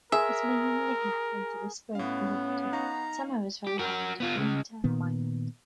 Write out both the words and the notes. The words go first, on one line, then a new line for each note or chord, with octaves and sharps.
This mainly happens in the spring and autumn; summer is very hot, winter mild.
G#4 A#4 E5 C6
A2 B3 C#4 F5
D#4 F5 A#5 C#6
G4
F#4 A#4
B3 F4
C#3 G#3
A#2 D#3 B3